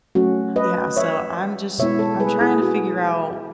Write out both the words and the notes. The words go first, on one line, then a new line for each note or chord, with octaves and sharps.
Yeah, so, I'm just I'm trying to figure out
F#3 A3 C#4 F#4
B4 D#5
C#5 E5
B2 G#3 B3 E4 C#5 E5
A4 C#5
G#4 B4
E4 G#4
F#4